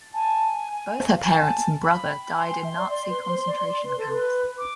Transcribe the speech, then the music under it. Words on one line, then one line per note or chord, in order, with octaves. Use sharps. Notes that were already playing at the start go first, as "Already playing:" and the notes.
Both her parents and brother died in Nazi concentration camps.
G#5 A5
F5
G#5 A5
B5
A5 C6
G#5
E5
D5
D5
B4
C5
D5
D5
B4
A4
B4
D6